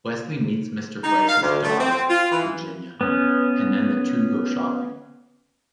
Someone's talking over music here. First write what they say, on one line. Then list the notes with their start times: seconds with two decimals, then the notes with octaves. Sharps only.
Wesley meets Mr. Bryce's daughter, Virginia, and then the two go shopping.
1.03 D#4
1.28 F5
1.41 D2
1.61 A3
1.79 C4
2.09 F4
2.31 E3
3.01 B3 C#4